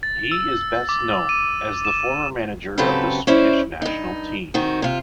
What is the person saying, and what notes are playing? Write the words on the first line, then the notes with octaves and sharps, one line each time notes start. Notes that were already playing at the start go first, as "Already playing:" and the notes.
He is best known as the former manager of the Swedish national team.
A6
E6
D6
D#7
E7
C#3 F#3 C4 G4 A4 B4
C#4 E4 C5 D5
G2 D#4
D#3 C4 F#4
C3 F4